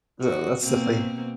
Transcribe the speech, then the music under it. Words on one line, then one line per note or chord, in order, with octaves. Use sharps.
Ugh, that's definitely
F#4
B2 A#3 C4